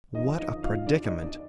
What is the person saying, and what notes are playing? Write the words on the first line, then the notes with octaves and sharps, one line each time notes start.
What a predicament!
D#2 D3 F3 D#4 D#5
D#4 D#5
F4 F5
D4 D5
D#4 D#5
D4 D5